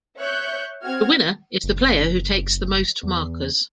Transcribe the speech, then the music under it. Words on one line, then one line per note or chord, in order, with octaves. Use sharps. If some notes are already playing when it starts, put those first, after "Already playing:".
The winner is the player who takes the most markers.
C#5 E5 C#6 F#6 G6
C4 F#4 F6 G#6
F#1
E2